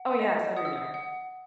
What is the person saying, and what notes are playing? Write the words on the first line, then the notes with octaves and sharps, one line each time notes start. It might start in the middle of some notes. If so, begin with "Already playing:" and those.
Oh, yeah, it's everywhere.
Already playing: F#5
D#5
F#5 D#6
E6
D#6
F#5